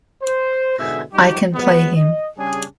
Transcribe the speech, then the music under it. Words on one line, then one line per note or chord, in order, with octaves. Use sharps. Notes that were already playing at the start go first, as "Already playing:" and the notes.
I can play him.
C5
G#2 B2 D3 E4 G#4 E5
F3 G3 D#4 F#4 G4
F3 F#3 G#3 B3
D#5
C#3 G3 C#4 D4 G#4